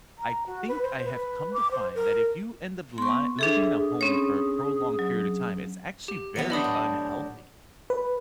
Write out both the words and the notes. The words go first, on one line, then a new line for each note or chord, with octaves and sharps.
I c think I have come to find that if you end up ly living in a home for a prolonged period of time, it's actually very unhealthy.
A#5
F#4
B4
C5
B4
D6
C5
A#4
B3 C6 C#6
D4 G#4 A4 E5
G#4
C4 C#4 C#5
F#3
G4
E3 F#3 B3 C#7
D4 C5 D#5 B5 D#6
A2
B4